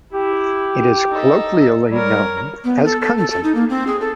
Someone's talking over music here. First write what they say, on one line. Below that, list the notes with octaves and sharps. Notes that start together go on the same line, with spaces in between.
It is colloquially known as "Kungsan".
E4 G4
D#4 A4
G3 A#4 C#5
B3
A4
A4
A4
A4
D#4
A#3
C4
G#4
A4